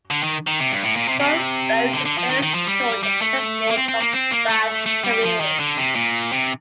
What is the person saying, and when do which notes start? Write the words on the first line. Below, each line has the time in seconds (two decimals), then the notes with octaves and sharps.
Both boats experienced short, but successful combat careers.
0.11 D3
0.23 D#3
0.47 D#3
0.60 C3
0.71 G2
0.83 A2
0.96 A#2
1.08 C3
1.20 C3
1.93 D3
2.05 D3
2.18 F3
2.30 D#3
2.43 D#3
2.54 F3
2.67 G3
3.03 G3
3.21 A3
3.71 A#3
3.76 C4
3.88 C4
4.00 A#3
4.13 C4
4.31 A#3
4.49 A3
4.86 A3
5.04 G3
5.23 F3
5.40 D#3
5.59 D3
5.77 C3
5.95 A#2
6.32 C3